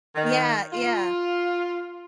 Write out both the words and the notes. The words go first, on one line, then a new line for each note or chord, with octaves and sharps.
Yeah, yeah,
D#3
F4